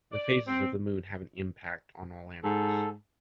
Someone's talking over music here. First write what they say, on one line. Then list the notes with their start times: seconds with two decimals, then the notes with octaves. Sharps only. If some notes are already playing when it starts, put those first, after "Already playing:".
The phases of the moon have an impact on all animals.
0.12 D5
0.47 C4
2.44 G#2 A4